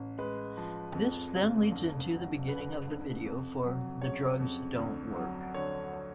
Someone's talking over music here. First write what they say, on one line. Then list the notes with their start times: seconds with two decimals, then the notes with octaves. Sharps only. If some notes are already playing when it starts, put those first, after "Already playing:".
This then leads into the beginning of the video for "The Drugs Don't Work".
Already playing: A1
0.18 G#3 B4
0.57 F3
0.95 F2
1.34 F#1
1.72 D2
2.11 F#3
2.48 C#3 B4
2.87 D2
3.25 F2
3.63 F#3
4.02 C#3 C#5
4.40 F2
4.79 D2
5.16 F#3
5.54 D3 C#5
5.93 C#5